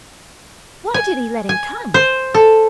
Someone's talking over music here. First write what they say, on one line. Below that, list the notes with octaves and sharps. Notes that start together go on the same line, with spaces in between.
Why did he let him come?
G#5
G#5
C5
A4